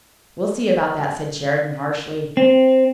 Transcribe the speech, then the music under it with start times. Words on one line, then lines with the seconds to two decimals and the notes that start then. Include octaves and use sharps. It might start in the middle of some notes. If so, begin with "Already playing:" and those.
"We'll see about that!" said Sheridan, harshly.
2.37 C4